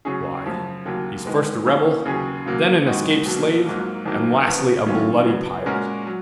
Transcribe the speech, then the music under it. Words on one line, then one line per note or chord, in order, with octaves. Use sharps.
Why, he's first a rebel, then an escaped slave, and lastly a bloody pirate.
C#3 F#3 C#4 G#4
F#2 C#3 F3
D#2 C#3 F#3 A#3
D#3 G#3 B3
F3 A#3 C#4
D#2 C#3 F#3 C#4 G#4
C#3 F#3 A#3
F#2 D#3 G#3 D#4 F#4
B2 F#3 A#3
G#2 F#3 A#3
F2 D#3 F#3 A#3
C#3 F3 B3 F#4
F#2 D#3 F#3 C#4 F4
C#3 F#3 B3
A#2 G#3 C#4 F#4 A#4
F#3